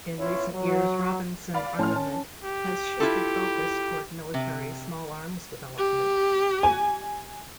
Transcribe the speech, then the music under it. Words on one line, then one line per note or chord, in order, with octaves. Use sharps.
In recent years Robinson Armament has shifted focus toward military small arms development.
B3 C#4 E4 F4 C#5
F#3
D5 F5 B5
A2 C#4 A5 C6 F6
C#4 A5
G4
E4 F4 A4
C3
G4
G#5